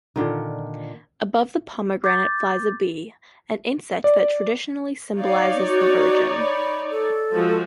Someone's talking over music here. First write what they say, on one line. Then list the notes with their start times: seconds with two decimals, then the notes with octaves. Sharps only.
Above the pomegranate flies a bee, an insect that traditionally symbolizes the Virgin.
0.16 A#2 D3 D#3
2.04 D6 G6 A6
4.04 D5
5.17 D#4 C#5 D5 F5
5.67 F#4
6.39 B5
6.91 A4
7.34 F3 G#3 F#4